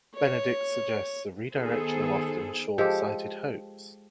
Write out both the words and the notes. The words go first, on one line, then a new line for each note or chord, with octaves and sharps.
Benedict suggests a redirection of often short-sighted hopes.
C#5
D#3 B3 G#4 A4 C5
F3 G#3 G4 A4